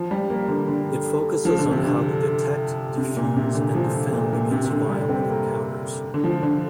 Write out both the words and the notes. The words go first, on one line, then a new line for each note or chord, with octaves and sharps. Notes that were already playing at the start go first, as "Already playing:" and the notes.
It focuses on how to Detect, De-fuse, and Defend against violent encounters.
Already playing: F3
G3
A#3
D3
D3
F3
D3
C3
D3
C3
A#2
C3
D3
F3
A#2
A#2
C3
C3
D3
G3
C4
A#3
D3
F3
D3